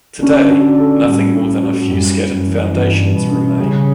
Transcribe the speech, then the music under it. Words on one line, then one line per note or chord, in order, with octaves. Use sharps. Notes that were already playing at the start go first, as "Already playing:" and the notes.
Today, nothing more than a few scattered foundations remain.
D3 C#4
F#4
A4
A2 G3
C#4
F#4
F#2 G3
C#4
F#2
E3
G2 E3
G3
B2
C#4
C#3 G3